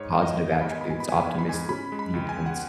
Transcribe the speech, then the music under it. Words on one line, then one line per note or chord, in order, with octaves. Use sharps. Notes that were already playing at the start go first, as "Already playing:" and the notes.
positive attributes, optimistic viewpoints,
Already playing: G#2 C#5
B3
D#5
D#3
G#5
G#2 B5
G#5
B3 B5
G#5
B3 B5
G#5
B5
G#2 G#5
B5
G#2 G#5
C#4 B5
G#3
B5
C#2
G#5
C#2
F#5